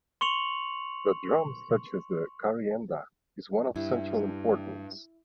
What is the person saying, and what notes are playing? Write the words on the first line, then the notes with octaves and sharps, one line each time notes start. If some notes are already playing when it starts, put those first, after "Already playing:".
The drum such as the "karyenda" is one of central importance.
C6 C#6 C#7 F7 F#7
G2 E4